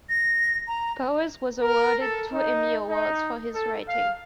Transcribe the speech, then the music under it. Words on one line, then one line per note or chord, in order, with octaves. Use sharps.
Powers was awarded two Emmy Awards for his writing.
A#6
A#5
A#4
A4
D#4
D#4
A4
F5